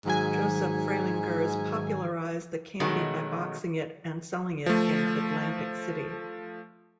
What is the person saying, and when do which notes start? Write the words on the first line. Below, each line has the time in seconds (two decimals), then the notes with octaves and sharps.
Joseph Fralinger popularized the candy by boxing it and selling it in Atlantic City.
0.05 G#2 D#3 F#3 G#5
2.80 B2 D#3 F#3 G#3 A3
4.66 F3 A3